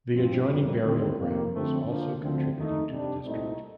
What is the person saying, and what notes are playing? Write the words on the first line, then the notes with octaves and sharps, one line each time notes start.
The adjoining burial ground is also contributing to the district.
G2 F3 C4
F2 D#3 G3
D#2 D3 G3 C4
F2 C3 D#3 A#3
F2 D3 A3 C4
D3 F3 A#3
D2 D3 F3 C4
D#2 D#3 A3 D#4
C3 G3 D4
C2 A#2 A3 C4 D#4